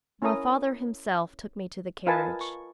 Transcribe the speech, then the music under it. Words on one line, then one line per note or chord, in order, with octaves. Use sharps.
My father himself took me to the carriage.
C#4 E4 A#4 C#5 A#5 D#6
F4 A#4 B4 D#5 G#5 A5
C#6